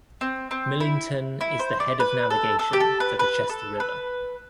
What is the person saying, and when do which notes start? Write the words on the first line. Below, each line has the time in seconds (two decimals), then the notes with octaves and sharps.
Millington is the head of navigation for the Chester River.
0.21 C4
0.51 C4
0.80 E4
1.41 E4
1.59 C5
1.80 D5
2.00 B4
2.30 A4
2.59 A4
2.73 G4
2.80 A4
3.00 B4
3.19 B4
3.49 A4
3.80 B4